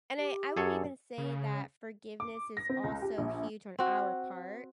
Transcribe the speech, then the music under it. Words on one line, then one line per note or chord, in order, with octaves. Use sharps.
and I I would even say that forgiveness is also huge on our part
G4
F#2 G#4 A4 C#5
C#3
D6
A#6
C4
C#2
G4
A#1
C4 F#4